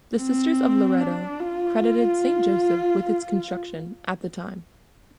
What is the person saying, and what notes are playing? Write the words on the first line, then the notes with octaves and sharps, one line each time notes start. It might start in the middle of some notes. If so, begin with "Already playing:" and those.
The Sisters of Loretto credited Saint Joseph with its construction, at the time.
C4
D4
F4